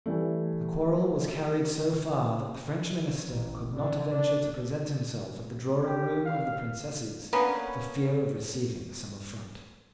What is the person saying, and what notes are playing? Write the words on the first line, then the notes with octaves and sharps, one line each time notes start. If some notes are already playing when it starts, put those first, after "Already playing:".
The quarrel was carried so far that the French minister could not venture to present himself at the drawing room of the Princess for fear of receiving some affront.
E3 G3 A3
A1
D3
D4
G4
F5
D3 A#3 B3 C#4